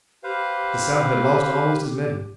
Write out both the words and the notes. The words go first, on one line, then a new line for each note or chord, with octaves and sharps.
The South had lost almost as many.
G4 B4 C5 F5